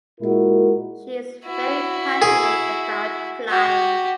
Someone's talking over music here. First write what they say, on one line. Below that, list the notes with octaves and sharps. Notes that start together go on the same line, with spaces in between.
She is very passionate about flying.
A#2 G#3 E4 F#4 A#4
E4 F#4
G#4
F#4 G4